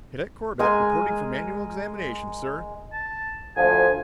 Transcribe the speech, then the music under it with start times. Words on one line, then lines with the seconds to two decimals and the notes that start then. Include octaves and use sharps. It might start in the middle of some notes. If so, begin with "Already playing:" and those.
"Cadet Corbett reporting for manual examination, sir!"
0.59 G#3 A#4 G#5
2.92 A5
3.56 D2 F3 G#5